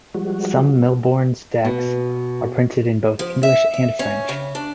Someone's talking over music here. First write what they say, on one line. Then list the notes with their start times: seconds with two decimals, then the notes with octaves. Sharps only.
Some Mille Bornes decks are printed in both English and French.
0.14 F3 G3 G#3 F#4
1.65 B2
3.19 F3
3.43 E5
3.74 E5
3.99 C#4
4.29 C#3
4.55 D4